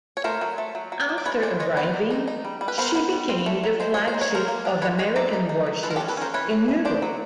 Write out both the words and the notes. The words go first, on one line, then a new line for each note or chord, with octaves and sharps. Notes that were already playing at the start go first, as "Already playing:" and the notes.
After arriving, she became the flagship of American warships in Europe.
C#5
A3 A#4 C5
F#3
A3
F#3
F#3
F#3
D5
G#3 B4 C#5
G#3 C5 D5
G#3 C#5 D#5
B3 C5 D5
D#3
D#4
D#4
G3
G3
B4
B3 A#4 C5
B3
G3
C4
A3
F#3
G#3 C5
G#3 C#5
C5
D#3
C#5
F#3 A#4 C5
A#3
D4
G#3 B4 C#5
G#3 C#5 D#5
D#4 D5 E5
D#4
D#4
F#3
G#3 A4 B4
A#4
G4 A4
C#4
A4 B4
C#4 A#4 C5
E3 B4 C#5
E3
A3
D4 C5 D5
F#3